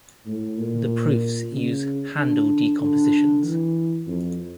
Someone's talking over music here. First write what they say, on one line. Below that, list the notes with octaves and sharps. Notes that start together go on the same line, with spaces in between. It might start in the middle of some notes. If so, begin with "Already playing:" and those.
The proofs use handle decompositions.
A2
A#2
C#3
D3
D3
E3
F2